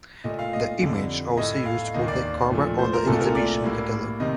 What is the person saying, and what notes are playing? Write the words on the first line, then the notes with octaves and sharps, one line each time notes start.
The image also used for the cover of the exhibition catalog.
A#2 A3 D#5
F5
D#5
F2 D3 G3
A2 A3 D#5
F5
D#2 D#3 A#3 D#5
D5
A#2 F3 A3
C5
A#4
C2 A#2 A3 A4
A#4
D5
A2 G3 A#3
C3 D#3 D#5